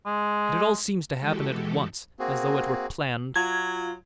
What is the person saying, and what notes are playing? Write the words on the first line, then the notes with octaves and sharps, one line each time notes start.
And it all seems to happen at once, as though it were planned.
G#3
E3 G#3 F#4 G4 A4
A#3 C4 F#4 G#4
F#3 F4 G#6